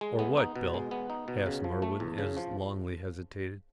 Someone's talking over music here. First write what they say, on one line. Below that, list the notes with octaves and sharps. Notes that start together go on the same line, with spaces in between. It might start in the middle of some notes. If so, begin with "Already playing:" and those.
"Or what, Bill?" asked Merwin, as Longley hesitated.
G#3
B3
D#4
B2
G#3
B3
D#4
B2
C#3
F3
A3
E2
C#3
F3